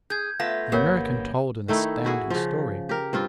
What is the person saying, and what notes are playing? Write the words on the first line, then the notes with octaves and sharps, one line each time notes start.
The American told an astounding story.
G#4 G6 G#6
A3 B3 F4 F5 A#6
G1 A#3 B3 G4 A#4 C#5
D#3 A3 D#4 E4
E4 F#4 G#4
C#3 F3
G4 A#4
G2 C4 F4